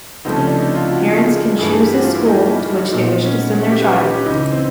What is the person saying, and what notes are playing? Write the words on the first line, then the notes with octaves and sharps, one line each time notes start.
Parents can choose the school to which they wish to send their child.
C#2 C3 F3 A3 D#4
C#4
D4
D#4
F4
F#4
G#4
G2 E3 A3 G#4
G#4
G4
F#4
F4
E4
D#4
A#2 F#3 B3 D#4
C#4
C#4
G4
B4
G4
G4
C#4
C#2 C#3 E3 D#4
C4